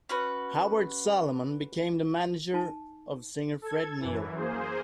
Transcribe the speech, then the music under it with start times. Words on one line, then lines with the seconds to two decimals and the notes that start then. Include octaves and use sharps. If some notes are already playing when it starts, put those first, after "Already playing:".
Howard Solomon became the manager of singer Fred Neil.
0.09 C#4 F#4 B4
2.54 D#4 G#5 A5
3.62 A4 G#6
4.00 F#2 E3
4.36 A#3 G#4 C5